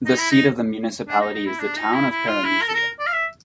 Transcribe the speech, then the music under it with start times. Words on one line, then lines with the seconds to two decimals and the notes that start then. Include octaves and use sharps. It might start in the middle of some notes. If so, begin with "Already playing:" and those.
The seat of the municipality is the town of Paramythia.
0.06 D#4
0.19 E4
0.31 D#4
1.08 D4
1.21 D#4
1.34 D#4
1.47 E4
1.60 D4
1.76 D#4
1.93 E4
2.10 E4
2.27 F4
2.44 E4
2.62 A#4
2.68 A4
2.74 A#4
3.00 D5
3.07 F5
3.13 E5